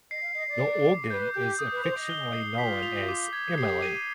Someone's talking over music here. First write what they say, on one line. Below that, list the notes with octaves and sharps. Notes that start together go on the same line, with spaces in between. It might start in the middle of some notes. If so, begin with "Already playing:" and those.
The organ is affectionately known as "Emily".
D#5 C7
F5
D#5 C7
D5
D6
D6
B4 G6
G4 G6
D#6
B4
C5 F7
D#5
G7
C7
F4 B6
F7
D6
G#6
G4 C7
D#7